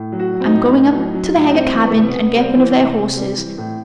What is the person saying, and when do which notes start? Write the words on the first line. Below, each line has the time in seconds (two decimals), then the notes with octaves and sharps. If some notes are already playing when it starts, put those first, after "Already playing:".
I'm going up to the Heger cabin and get one of their horses.
Already playing: A2
0.12 F#3
0.19 F#4
0.33 F#3
0.40 C4
0.46 D#4
0.54 A2
0.73 A2
0.94 F#3
1.14 F#3
1.34 A2
1.46 D#4
1.54 G3 C4
1.75 E3
1.81 B3
1.90 A3
1.95 C3 B3
2.08 B3
2.15 C3
2.36 G3 C4
2.56 E3
2.76 C3
2.96 C3
3.16 G3
3.37 E3
3.58 A2